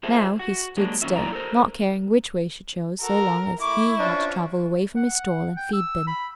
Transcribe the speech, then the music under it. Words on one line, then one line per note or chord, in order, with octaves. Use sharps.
Now he stood still, not caring which way she chose so long as he had to travel away from his stall and feed-bin.
F4 G#4 A4 C5 E5
F#4
F#3 G#3 A#3 D4
F#2 D#3 C#4 F4 E5
F#3 A#3 E4 F4 D5 A#5
A4 A#4 C5
F#4 A4 A#4
A3 E4 C#6 D6
C#4 D4 F4 C5
F#5
G5
E6
B5